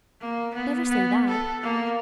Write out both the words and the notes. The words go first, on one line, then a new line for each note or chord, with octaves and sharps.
Never say that!
A#3
B3
B3
A4
A#3